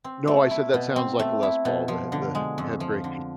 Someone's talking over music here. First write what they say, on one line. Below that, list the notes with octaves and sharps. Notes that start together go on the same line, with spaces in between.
No, I said that sounds like a Les Paul, the he the he the head breaking,
C4
A3
E4
B2
C4
A3
E4
B2
F3
D3
G#3
F2
F3
D3